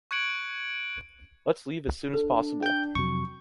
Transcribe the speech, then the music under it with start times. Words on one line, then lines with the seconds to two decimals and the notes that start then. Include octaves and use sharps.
Let’s leave as soon as possible!
0.11 C#6 F#6 G#6 C#7 D7 F#7
2.14 D4 A4
2.63 G5 G6
2.95 F2 C3 F#3 C#6